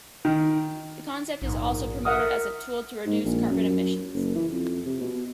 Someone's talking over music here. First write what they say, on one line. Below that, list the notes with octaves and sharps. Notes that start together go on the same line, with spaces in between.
The concept is also promoted as a tool to reduce carbon emissions.
D#3
A#1 G#2
A#4 E5 F#5 D#6
G#2
A#1
F#2
F#1
E3
F2
C3
B2